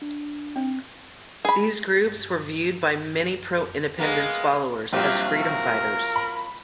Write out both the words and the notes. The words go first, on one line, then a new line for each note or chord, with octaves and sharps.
These groups were viewed by many pro-independence followers as freedom fighters.
D4
C4
G#4 B5
G#3 A#3 B3
A#1 F#3 G3 C4 F4 G4
A#4
B5